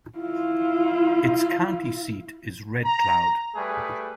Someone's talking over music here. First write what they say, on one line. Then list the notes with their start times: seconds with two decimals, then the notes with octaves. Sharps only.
Its county seat is Red Cloud.
0.19 E4 F4
2.83 A#5
3.54 G3 A3 G#4 B4